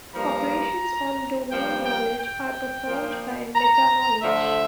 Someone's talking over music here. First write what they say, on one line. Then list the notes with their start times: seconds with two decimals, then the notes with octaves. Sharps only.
Operations on domain knowledge are performed by meta-knowledge.
0.15 G2 F3 A#3 A#5
1.51 G2 F3 A#3 G5
1.85 G5
2.19 G5
2.87 A#2 F3 A#3
3.55 A#5
4.23 D3 F3 A3 E5